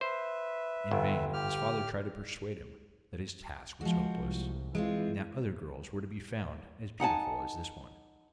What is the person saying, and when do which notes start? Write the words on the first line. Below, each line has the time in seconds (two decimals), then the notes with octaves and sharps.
In vain his father tried to persuade him that his task was hopeless, and that other girls were to be found as beautiful as this one.
0.01 B4 C5 E5
0.91 G1
1.33 G4 F6
3.81 F3 G#3 F#4
4.18 C2
4.75 E3 G#3 C4 F4
7.00 D#4 F#5 G#5 A5